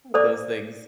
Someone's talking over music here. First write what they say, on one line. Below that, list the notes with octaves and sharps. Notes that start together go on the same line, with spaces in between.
Those things.
A4 C5 D5 D6